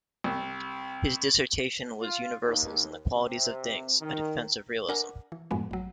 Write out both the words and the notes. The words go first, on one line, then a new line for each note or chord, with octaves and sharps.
His dissertation was Universals and the Qualities of Things: A defense of Realism.
C2
F4
D#2
C3
D#3
D4 A#4 F#5 G#5 A#5
E3
F#2 A2 F3 G#3 B3
A1 F#3